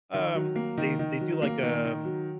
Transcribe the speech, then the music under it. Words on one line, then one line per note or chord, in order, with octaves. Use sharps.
um they they do like, um
D#3
F#3
A#3
D#3
D#3
F#3
A#3
D#3
D#3
F#3